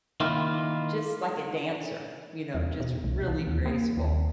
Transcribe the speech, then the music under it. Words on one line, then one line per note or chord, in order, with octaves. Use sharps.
just like a dancer. You know? Just really graceful.
D#3 A#3 E4 F4
E2
B2
C2
E3
D#2
A#3
D#2